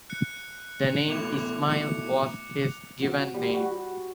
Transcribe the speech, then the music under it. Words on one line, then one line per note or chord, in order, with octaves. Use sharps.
The name Ismail was his given name.
F#6 C#7
B2 A3 E4 D6 F7
C#7
F#4
G3
F#4